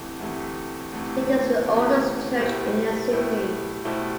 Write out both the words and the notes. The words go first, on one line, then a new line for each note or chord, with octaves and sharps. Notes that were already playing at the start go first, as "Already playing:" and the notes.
It is the oldest church in the city.
Already playing: D2 C3 E3 A3
D2 C3 E3 A3
D2 C3 E3 A3
D2 C3 E3 A3
B2 A3 E4 G4 C5
B2 A3 E4 G4 C5
B2 A3 E4 G4 C5